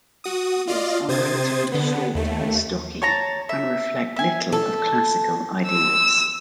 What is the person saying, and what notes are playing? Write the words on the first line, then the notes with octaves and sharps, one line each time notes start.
His figures are relatively short and stocky, and reflect little of classical ideals.
F#4 D#6
F4 D5 D#5 F5
C3 C5 D#6 G#6 A6
D3 B3
D#2 A3
C#5 A5 A#5
E5
E5 G#5
A4
E6